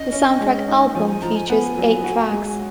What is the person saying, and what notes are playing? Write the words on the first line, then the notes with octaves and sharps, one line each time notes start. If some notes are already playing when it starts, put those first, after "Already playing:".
The soundtrack album features eight tracks.
Already playing: C#4 D#5
C#4
G#3
D#4
F3 G#5
G#5
F3 A#5
G#5
B3 G#5
F#3
F#4
G#3